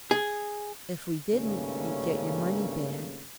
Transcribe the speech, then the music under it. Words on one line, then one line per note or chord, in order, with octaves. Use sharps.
"If we didn't you'd get your money back."
G#4
G#1 G2 C#3 A3 A#3 C#4